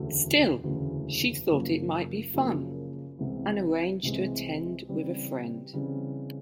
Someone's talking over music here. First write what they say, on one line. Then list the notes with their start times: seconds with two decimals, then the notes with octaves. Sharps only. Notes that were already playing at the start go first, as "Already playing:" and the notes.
Still, she thought it might be fun, and arranged to attend with a friend.
Already playing: E1 D2 C#3 E3 A3
0.64 E1 D2 C#3 E3 A3
1.49 F#1 F#2 C#3 F3 A#3
2.34 F#1 F#2 C#3 F3 A#3
3.19 C2 C3 E3 G#3
4.03 C2 C3 E3 G#3
4.89 C#3 E3 G3 C4
5.73 C#3 E3 G3 C4